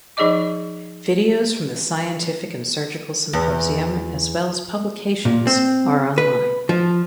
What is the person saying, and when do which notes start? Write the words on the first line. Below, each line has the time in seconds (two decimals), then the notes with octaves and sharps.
Videos from the scientific and surgical symposium as well as publications are online.
0.17 F3 D#4 G#4 D5 D#5 D6
3.33 E2
5.25 A#2
5.47 C4
6.18 B4
6.69 F3